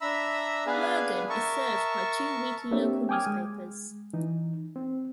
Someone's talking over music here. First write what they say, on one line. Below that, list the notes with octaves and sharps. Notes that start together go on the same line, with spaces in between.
Lurgan is served by two weekly local newspapers.
D4 E5 A#5 B5 E6
B3 D4 G#4 B4 F5 G#5
A#4 E5 A5 C#6
A#3 C4 D4 G4 C#5 E5
G5 G#5 D6 D#6 F6 G#6
G#3
E3 D#4
C4